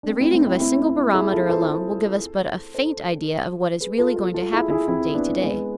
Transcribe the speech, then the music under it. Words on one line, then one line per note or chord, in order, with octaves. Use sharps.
The reading of a single barometer alone will give us but a faint idea of what is really going to happen from day to day.
D4
A3 C4
C4 E4
A3 C4
C4 E4
C4 E4
E4 G#4
F4 A4
A4 C5
A4 C5
G#4 B4
F4 A4
F4 A4
F4 A4
E4 G#4
E4 G#4
C4 E4
B3 D4
G#3 B3